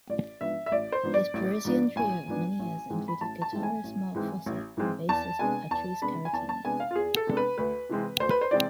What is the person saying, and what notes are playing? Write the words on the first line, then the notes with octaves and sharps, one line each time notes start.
His Parisian trio of many years included guitarist Marc Fosset and bassist Patrice Carratini.
A1 D5
G#2 F3 B3 D4 E5
E5
A1 D5
C5
G#2 F3 B3 D4
D5
A1
G#2 F3 B3 D4
A1 G#5
G#2 F3 B3 D4
A1
G#2 E3 G#3 C4
B5
A1 A5
A5
G#2 E3 G#3 C4
G#5
A1
G#2 E3 G#3 C4
A1
G#2 E3 G#3 C4
E2 A5
C3 G#3 B3 D4 G#5
E2 A5
C3 G#3 B3 D4 B5
G#5
E2 A5
A5
C3 G#3 B3 D4 G#5
F5
F4
E2 G#4
A4
C3 G#3 B3 D4
B4
D2 B4
C3 E3 G#3 C4
D2 C5
B4
C5
C3 E3 G#3 C4 D5